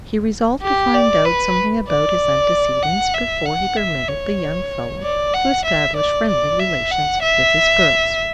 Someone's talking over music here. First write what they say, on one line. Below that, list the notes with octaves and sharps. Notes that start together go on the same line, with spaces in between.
He resolved to find out something about his antecedents before he permitted the young fellow to establish friendly relations with his girls.
G4
D5
B4
D5
F#5
E5
F#5
E5
C#5
D5
F#5
E5
D5
D5
E5
F#5
E5